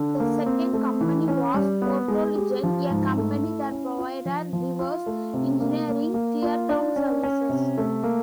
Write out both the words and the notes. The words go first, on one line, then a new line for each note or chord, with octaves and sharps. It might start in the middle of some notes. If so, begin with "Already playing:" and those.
The second company was Portelligent, a company that provided reverse engineering tear down services.
Already playing: D3
A#3
C4
A3
E3
C#4
G3
B3
G#3
G4
F3
G#2
A3
E4
C#4
F4
F3
F3
F4
A3
C3
A#3
A#3
A#3
F4
D4
C#4
C#4
C3
A3
A#3